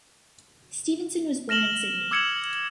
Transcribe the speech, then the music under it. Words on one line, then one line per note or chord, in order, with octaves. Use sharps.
Stephenson was born in Sydney.
F6 A#6 E7 F#7 G7
D6 E6 G#6 C#7 E7 F#7